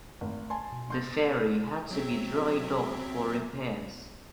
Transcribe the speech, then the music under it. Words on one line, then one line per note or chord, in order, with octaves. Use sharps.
The ferry had to be dry docked for repairs.
G#1 A3
G#5 A5 C6
B2
C6 G6 A6
F#3 C4 E5